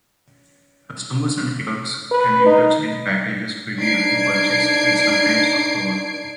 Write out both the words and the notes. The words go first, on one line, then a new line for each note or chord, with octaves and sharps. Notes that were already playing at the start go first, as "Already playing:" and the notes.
Customers and clerks can interchange packages freely until purchase, and sometimes afterward.
B4
D#4
D4 D#4 G#6 C7 D7